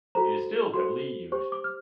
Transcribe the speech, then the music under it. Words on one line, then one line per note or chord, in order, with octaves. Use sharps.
It is still heavily used.
F#4 A4 C5 A#5
F#4 A4 C5 C6
G4 C5 C#6
D6
F6